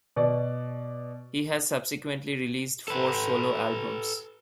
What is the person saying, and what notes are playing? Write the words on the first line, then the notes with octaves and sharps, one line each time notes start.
He has subsequently released four solo albums.
B2 D5
A4 B4